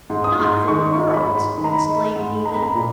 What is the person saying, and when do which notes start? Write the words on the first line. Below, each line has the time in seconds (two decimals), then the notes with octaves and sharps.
"Not for worlds!" exclaimed Neelie.
0.10 G#2
0.24 D#6
0.39 G#2
0.68 D#3 C#6
0.98 G#3
1.13 B5
1.28 G#2
1.58 D#3 B5
1.64 A#5
1.73 B5
1.86 G#3
2.16 G#2
2.45 G#3 A#5
2.54 B5
2.63 A#5
2.75 A#2